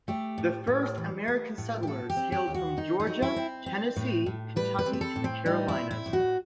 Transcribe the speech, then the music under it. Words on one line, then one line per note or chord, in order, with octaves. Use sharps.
The first American settlers hailed from Georgia, Tennessee, Kentucky, and the Carolinas.
A3 G4
A2
A2
E3
A3
A2
G4
F#3 A4
G4
C4
G4
D#2
F#4
D#3 D#4
D#4
F#3
E4
C4
C4
A2
A2
G3 B4
B4
C4
B4
A4
A2
C4
G3 D#4
E4
C4
E4
A2
F#4